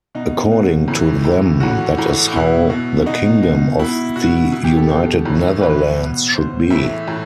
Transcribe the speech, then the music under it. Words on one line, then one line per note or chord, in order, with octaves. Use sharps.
According to them, that is how the Kingdom of the United Netherlands should be.
B2 D#4
B2
A2 E3
A2 E3
A2 E3 F#4
A2 E3
B2 E4
B2
B2 D#4
B2
B2 E4
B2 F#4
B2 E4
G4
A4
B2
A2 E3
A2 E3 B4
B2
B2 C5
A2 E3 E5
A2 E3